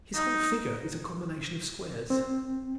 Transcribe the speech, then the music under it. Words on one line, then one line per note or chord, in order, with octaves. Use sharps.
His whole figure is a combination of squares.
D#4
C4